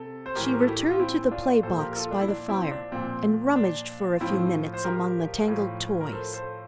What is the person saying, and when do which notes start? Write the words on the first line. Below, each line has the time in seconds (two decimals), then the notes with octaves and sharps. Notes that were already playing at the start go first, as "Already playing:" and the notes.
She returned to the play box by the fire, and rummaged for a few minutes among the tangled toys.
Already playing: C3 A4
0.26 C5
0.35 A2 E3 G4 A#4
0.47 C5
0.53 A#4
0.60 A4
0.67 E4 G4
0.90 F4
0.99 C4 E4
1.31 D4 F4
1.63 A#2 F3 A4 C5
1.80 G4 A#4
1.92 A#4
1.96 F4 A4
2.11 D4
2.21 E4
2.28 D4
2.49 C4 E4
2.71 D4
2.92 A#2 F3 C4
3.56 D4
4.20 A2 F3 C4 E4
4.74 C5
4.84 G4 A#4
5.48 A2 F3
6.01 A#4
6.12 A4 C5
6.33 A4 C5